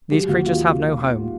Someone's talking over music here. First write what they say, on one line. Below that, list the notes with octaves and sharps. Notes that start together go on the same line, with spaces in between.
These creatures have no home.
F#3 G4
D#2 F#4
D#2 F4